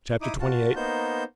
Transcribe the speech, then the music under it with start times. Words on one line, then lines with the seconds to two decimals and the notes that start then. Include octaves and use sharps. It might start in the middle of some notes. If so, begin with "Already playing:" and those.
Chapter XXVIII.
0.21 D#4 E4 D6 D#6
0.40 F4 F#4 A5
0.76 A#3 B3 D#4 C5 G6